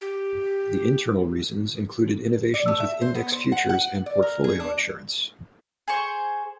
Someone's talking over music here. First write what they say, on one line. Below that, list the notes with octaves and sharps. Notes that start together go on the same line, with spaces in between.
The internal reasons included innovations with index futures and portfolio insurance.
G4
D5
A3
E5
C5
B3
C5
F#5
F#5
D5
A#4
G#4
D4
G#4 C5 C#6